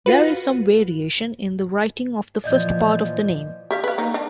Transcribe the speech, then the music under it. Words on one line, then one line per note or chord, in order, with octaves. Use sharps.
There is some variation in the writing of the first part of the name.
F4 F#4 B4
A#2 E3 F3 D5 D#5 G6
G4 E5 F5
B4 F5
A#3 D#4
D4